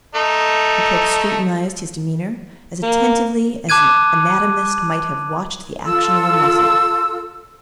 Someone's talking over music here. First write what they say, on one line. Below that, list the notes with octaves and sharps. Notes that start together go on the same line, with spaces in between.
Lecoq scrutinized his demeanor as attentively as an anatomist might have watched the action of a muscle.
A3 D#4
A#3
A5 D6 F#6 G#6 D#7
F4 A4 E6